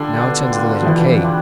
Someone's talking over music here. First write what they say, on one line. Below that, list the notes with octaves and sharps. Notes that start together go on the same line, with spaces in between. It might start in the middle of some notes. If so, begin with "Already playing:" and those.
Now turn to the letter k.
Already playing: D3 G3 D4 F4
B2
G3 D4 F4
F3
B2 E3
G3 D4 F4